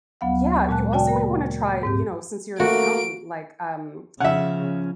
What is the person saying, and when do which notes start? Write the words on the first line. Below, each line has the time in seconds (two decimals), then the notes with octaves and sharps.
yeah, you also might wanna try, you know, since you're an accountant, like, um,
0.21 D2 F#3 B3 F5 F#5
0.69 A#2 G#3 A5 F#6
0.93 C#3 F#4 D5 G5 A5
1.07 A#3 A#4
1.83 G#2 C4 G4
2.60 A3 A#3 F#4 D7
4.20 C#3 F3 C#4 E5 F#5